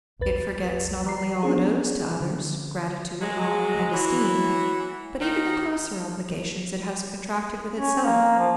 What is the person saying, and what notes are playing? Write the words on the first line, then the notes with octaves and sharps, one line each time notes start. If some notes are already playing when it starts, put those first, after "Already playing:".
It forgets not only all it owes to others,--gratitude, honor, and esteem,--but even the closer obligations it has contracted with itself.
A#1 E2 B4 A6
F3 A#5 C7
B3 C#4 D4 G#4
D3 F3
F#3 G#3
E3 F#3 F#4
D#3 A#3 D#4
C#4
A#3
F3